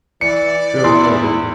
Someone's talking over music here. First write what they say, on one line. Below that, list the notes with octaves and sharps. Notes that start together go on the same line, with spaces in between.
Sure, we all do!
E3 D5 C#7
E2 E4 C6